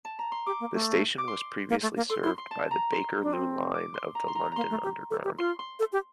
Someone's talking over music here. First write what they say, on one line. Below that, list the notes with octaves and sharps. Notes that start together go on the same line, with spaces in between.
The station was previously served by the Bakerloo line of the London Underground.
A5
A#5
C6
G4 D6
A#3
A3
D6
C6
A#3
A3
A#3
A4 C6
E4 C6
C6
A5
A#5
C6
D4
C4
D6
C6
A#5
C6
A#5
A#3 A#5 C6
A3
G4
A4
G4
F4 C6
C6
A4
G4